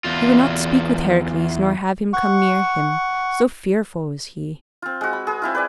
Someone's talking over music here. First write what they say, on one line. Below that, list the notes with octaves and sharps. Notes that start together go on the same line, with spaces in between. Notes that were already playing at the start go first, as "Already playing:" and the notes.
He would not speak with Heracles nor have him come near him, so fearful was he.
E2 F4
F#5 C#6
C4 F4
G#3 F#4
B5
G#4 B4
C4 E4 F4
B4 D5 G#5